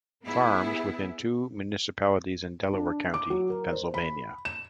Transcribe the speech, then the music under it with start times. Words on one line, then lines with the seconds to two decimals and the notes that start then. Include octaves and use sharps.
Farms, within two municipalities in Delaware County, Pennsylvania.
0.24 B3 E4 G#4
2.73 D4
3.14 D6
3.30 F#3
3.50 A#4
3.73 C5
3.94 B5
4.45 E7